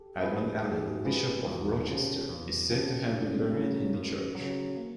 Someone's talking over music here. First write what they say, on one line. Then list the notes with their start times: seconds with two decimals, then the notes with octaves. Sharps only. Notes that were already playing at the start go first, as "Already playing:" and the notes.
Edmund Allen, Bishop of Rochester, is said to have been buried in the church.
Already playing: G4 A4
0.22 F3 G#3 B3
0.63 G#2 A4
0.71 G#4
0.80 G4
0.87 F#4 G#4
1.04 F3 G#3 B3 F4 G4
1.46 E2 E4 F#4
1.87 C#3 F3 F4 G4
2.29 E2
2.70 C#3 F3 F4 G4
3.11 F#2 D4 E4
3.27 C#4
3.31 C4 D4
3.53 C#3 F#3
3.94 F#2 A3
4.35 C#3 F#3
4.77 A#3